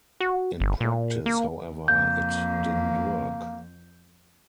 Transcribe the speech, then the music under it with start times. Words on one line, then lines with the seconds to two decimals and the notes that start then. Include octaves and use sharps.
In practice, however, it didn't work.
0.20 F#4
0.60 G1
0.80 A#2
1.26 A#3
1.88 F2 A#3 G6